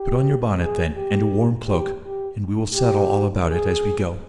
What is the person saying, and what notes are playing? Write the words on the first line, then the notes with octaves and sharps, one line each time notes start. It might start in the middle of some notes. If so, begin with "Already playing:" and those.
"Put on your bonnet, then, and a warm cloak, and we will settle all about it as we go."
Already playing: G4
G#4
G4
G4
G4
G4
G#4